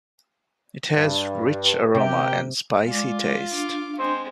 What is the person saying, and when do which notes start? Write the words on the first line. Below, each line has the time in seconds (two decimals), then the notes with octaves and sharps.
It has rich aroma and spicy taste.
0.97 G2
1.95 C3 G4 A#4 G5
2.86 G#3 F4 D5 D6
3.52 D4 F5 D6
3.99 G#3 C4 C5